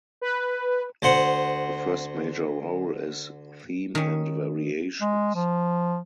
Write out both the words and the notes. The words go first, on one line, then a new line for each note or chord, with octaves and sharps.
Her first major role is "Theme and Variations".
B4
D2 C5 F#5
D#3 C#4
G#3
F3